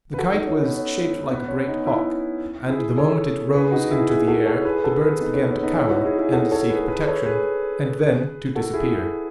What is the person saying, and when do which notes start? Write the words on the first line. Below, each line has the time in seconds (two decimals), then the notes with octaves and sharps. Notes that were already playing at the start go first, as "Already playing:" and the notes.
The kite was shaped like a great hawk; and the moment it rose into the air the birds began to cower and seek protection--and then to disappear.
0.14 B4
0.18 F#4 A4
0.32 D#4 F#4
0.47 C#4
0.60 B3
0.75 C#4
1.31 B3
1.48 C#4
1.67 B3 D#4
1.86 C#4 E4
2.69 E4 G#4
2.98 A4 C#5
3.53 G#4 B4
3.72 D#4 F#4
3.91 E4 G#4
4.09 E4 G#4
4.27 F#4 A4
4.46 A4 C#5
4.65 G#4 B4
4.84 F#4 A4
5.02 G#4 B4
5.20 B3 D#4
5.34 C#4
5.48 C#4
5.62 B3 D#4
5.76 C#4 E4
5.90 D#4 F#4
6.05 E4 G#4
6.18 E4 G#4
6.32 F#4 A4
6.52 A4 C#5
6.69 G#4 B4
6.79 A4
6.88 G#4 B4
7.06 A4 C#5
7.25 G#4 B4
8.55 F#4 A4
8.74 E4 G#4
8.93 E4 G#4